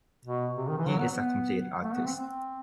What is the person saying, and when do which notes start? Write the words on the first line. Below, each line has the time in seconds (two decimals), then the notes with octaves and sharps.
He is a complete artist.
0.25 B2
0.57 C3
0.68 D#3
0.78 E3
0.88 F#3
0.99 B3
1.10 B3
1.84 A3
1.94 B3
2.05 C4
2.16 C4